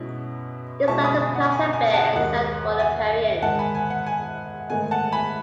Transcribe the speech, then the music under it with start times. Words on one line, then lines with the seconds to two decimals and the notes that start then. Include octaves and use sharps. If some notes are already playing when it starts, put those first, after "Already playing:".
This left the Plaza bare except for the Parian.
Already playing: B2 G#3 C#4 E4
0.88 B2 G#3 C#4 A5 C#6
1.04 B5 D#6
1.20 G#5
1.35 F#5
1.52 G#5
1.73 G#5
1.94 F#5 A5
2.16 D#2 D#3 G#3 F#5
2.79 G#5
3.42 G#2 D#3 G#3 F#5 A5
3.59 G#5 B5
3.75 G#5
3.90 F#5
4.07 G#5
4.70 G#2 D#3 A3 G#5
4.91 F#5 A5
5.12 G#5 B5